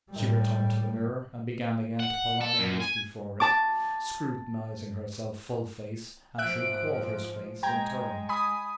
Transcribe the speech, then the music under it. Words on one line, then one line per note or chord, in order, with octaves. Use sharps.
She returned to the mirror and began again to put on airs before it, scrutinizing herself full-face and three-quarters face in turn.
A2 G3
F#5
A4
F#2
G#5
A5 D6
G#2 F3 E5 F#6 D7
G#3 G5 A#5 G#6
G#5 B5 D#6